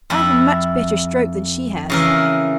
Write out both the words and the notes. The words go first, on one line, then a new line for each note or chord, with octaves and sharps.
I've a much better stroke than she has.
F2 E4
C#3 E3 A#4